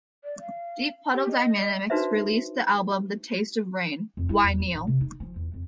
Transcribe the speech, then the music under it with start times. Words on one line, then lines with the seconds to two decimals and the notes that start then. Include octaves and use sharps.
Deep Puddle Dynamics released the album The Taste of Rain... Why Kneel?
0.24 D5
0.40 F5
1.14 G4
1.31 D#5
1.90 D4 D#4 F#4 B4 C5 E5
4.17 F2
4.29 E4
4.43 E2
4.60 C4
4.74 A1
4.87 C3
5.01 D#4
5.20 F3
5.36 E2
5.54 F2